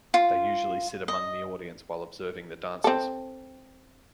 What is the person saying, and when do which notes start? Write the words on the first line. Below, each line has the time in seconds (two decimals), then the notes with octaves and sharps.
They usually sit among the audience while observing the dances.
0.14 F4
1.08 D#5
2.84 C4 A4